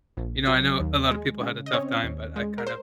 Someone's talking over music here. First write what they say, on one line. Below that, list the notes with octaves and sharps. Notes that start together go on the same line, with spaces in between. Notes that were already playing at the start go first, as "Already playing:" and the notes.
You know, I know a lot of people had a tough time, but I kind of
A#1
F#3
D#2
G#3
C#3
D#5
C4 C#4 C#5
D#2
G#3
A#4
C5